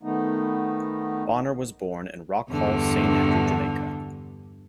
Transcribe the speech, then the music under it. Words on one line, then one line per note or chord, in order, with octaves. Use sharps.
Bonner was born in Rock Hall, Saint Andrew, Jamaica.
D#3 A3 B3 D#4
E2 G2 D3